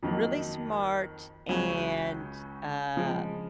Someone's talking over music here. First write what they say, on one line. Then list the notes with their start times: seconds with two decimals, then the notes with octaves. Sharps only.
Really smart and, um,
0.03 F2 D#3 F#3 A#3
1.49 C#2 C#3 F#3 C#4
2.96 C#3 F3 G#3